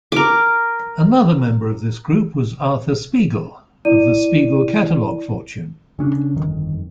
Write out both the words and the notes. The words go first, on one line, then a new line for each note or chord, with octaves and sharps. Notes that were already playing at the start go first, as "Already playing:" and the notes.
Another member of this group was Arthur Spiegel, of the Spiegel Catalog fortune.
A#4 D6
E4 D5 D#7
C#3 C#4 D4
G1 F2 D#3